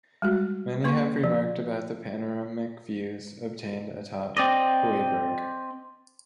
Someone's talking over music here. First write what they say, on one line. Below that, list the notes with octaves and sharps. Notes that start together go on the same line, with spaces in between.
Many have remarked about the panoramic views obtained atop Hooiberg.
G3 G#3 F#4
A#3 B4 C6 C#6
F3
C4 D5 D#5